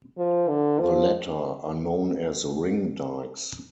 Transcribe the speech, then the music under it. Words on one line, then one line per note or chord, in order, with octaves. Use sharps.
The latter are known as ring dikes.
F3
D3
F3